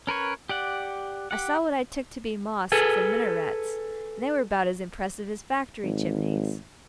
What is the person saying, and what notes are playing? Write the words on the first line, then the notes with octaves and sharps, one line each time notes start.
I saw what I took to be mosques and minarets, and they were about as impressive as factory chimneys.
C#4 A#4 B4 C#5
G4 D5 F#5
G4 F#5
G#4 A4 B4
G#1